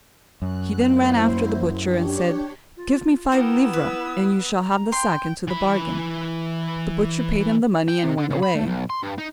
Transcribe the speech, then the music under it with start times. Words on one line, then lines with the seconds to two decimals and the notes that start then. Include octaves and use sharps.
He then ran after the butcher, and said, "Give me five livres, and you shall have the sack into the bargain." The butcher paid him the money, and went away.
0.42 F#2 F#6
0.81 A#3 E4 C5
1.79 D4 G4 C#5
2.77 F4
3.32 B3 D#4 E4 G4 A#4 E6
3.73 B4
4.62 A#5
4.92 G5 C6
5.48 E3 B5
7.89 G5
8.04 C3
8.18 D3
8.31 C#3
8.43 B5
8.55 A3
8.67 B1
8.90 C6
9.03 G2
9.18 D#4